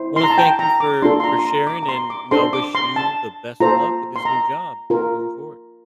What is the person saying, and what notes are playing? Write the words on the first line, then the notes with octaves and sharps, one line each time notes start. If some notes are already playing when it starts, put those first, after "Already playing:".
I wanna thank you for for sharing and, you know, I wish you the best of luck with this new job moving forward.
Already playing: E4 C5
C6
A#5
A5
G5
A#5
D6
D4 F4 A4 C6
C6
A#5
C6
A#5
D6
A#5
C6
D6
D4 A4 C5 C6
D6
C6
A5
F4 A4 C5 A#5
C6
A#5
F4 A#4